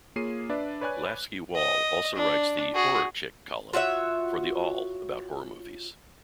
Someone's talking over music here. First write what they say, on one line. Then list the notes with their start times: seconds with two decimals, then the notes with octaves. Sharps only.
Lafsky Wall also writes the "Horror Chick" column for The Awl about horror movies.
0.16 A#3 F4 G#4 C#5 C7 D#7
0.49 D4 B4 D5 E5
0.81 B4 C#5 D5 G#5 F#6
1.55 D#5
2.16 D4
2.75 F#4 G#4
3.73 F4 F#4 C#5 E5